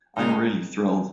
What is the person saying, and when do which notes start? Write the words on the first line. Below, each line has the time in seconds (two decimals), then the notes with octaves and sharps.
I'm really thrilled.
0.16 C#3 G#3 D#4 A#4